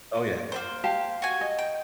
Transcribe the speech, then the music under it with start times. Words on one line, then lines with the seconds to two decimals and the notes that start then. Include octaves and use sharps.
Oh, yeah.
0.52 A#3 C4 C5
0.84 G4 F5 A5
1.22 F#4 G#5
1.41 D#5
1.59 G5